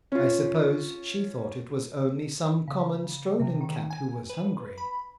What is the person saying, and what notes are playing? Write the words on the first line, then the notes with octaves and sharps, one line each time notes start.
I suppose she thought it was only some common strolling cat who was hungry.
C#4 F4
C#3
C3
D#3
G#5
B4
B5